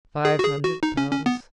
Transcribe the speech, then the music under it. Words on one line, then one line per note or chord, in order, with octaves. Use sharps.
Five hundred pounds!
G#4
F#4
G#4
F#4
D#4
C#4
C#4
B3